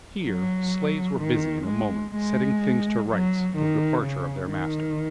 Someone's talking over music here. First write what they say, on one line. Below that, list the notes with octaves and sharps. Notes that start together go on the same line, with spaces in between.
Here slaves were busy in a moment setting things to rights for the departure of their master.
F#3
D#3
G#3
G#3
F#3
D#3
C#3
D#3